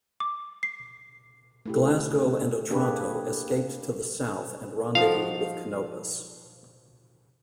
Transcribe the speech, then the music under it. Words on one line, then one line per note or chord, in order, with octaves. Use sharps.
"Glasgow" and "Otranto" escaped to the south and rendezvoused with "Canopus".
D6
C7
A3 E4 G4
A#3 D4 G4 G#4 B4
F3 D#4 F#4 F5